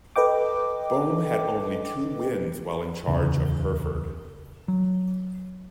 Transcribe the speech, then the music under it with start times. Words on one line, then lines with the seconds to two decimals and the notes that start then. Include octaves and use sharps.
Bohme had only two wins while in charge of Herford.
0.16 A4 B4 D#5 G5 D6
3.08 D1 A#1 E2 C#3
4.68 F#3